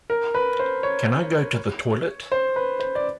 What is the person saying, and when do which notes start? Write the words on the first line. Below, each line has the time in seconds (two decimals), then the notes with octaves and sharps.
Can I go to the toilet?
0.10 A#4
0.34 B4
0.59 C5
0.83 C#5
2.32 C5
2.56 B4
2.80 C5
2.95 D5